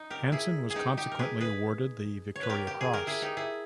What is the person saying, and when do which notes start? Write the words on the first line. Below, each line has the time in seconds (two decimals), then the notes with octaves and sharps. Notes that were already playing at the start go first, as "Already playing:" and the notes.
Hansen was consequently awarded the Victoria Cross.
Already playing: D#4
0.10 G4 A#4
0.32 E4 G#4
0.70 G#4
0.76 D#4 G4
0.97 D#4 G4
1.11 A#4
1.19 G#4 B4
1.40 G#4 B4
2.36 C#5
2.43 B4
2.49 G4 A#4
2.67 G4
2.81 G#4
2.93 G4 A#4
3.07 E4 G#4
3.22 D#4 G4
3.37 E4 G#4